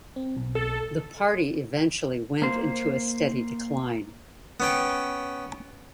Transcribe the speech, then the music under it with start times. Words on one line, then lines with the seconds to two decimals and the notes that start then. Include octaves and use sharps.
The party eventually went into a steady decline.
0.16 C4
0.37 B1
0.55 A4
2.42 A#3 C5
4.60 B3 C#4 G5